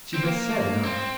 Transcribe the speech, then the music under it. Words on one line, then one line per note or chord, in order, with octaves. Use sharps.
She had said enough.
C4
A#3
C4